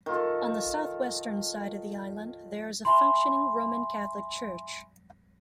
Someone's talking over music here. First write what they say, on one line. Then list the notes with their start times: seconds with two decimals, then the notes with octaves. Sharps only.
On the south-western side of the island there is a functioning Roman Catholic church.
0.06 D#3 F4 A4
2.85 E5 G#5 B5 C6